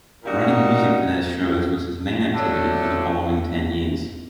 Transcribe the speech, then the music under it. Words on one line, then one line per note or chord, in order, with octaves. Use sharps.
Writing music for their shows was his main activity for the following ten years.
A#2 G3 A#3 D#4 F#4
D3 F#3 A3 D4 F#4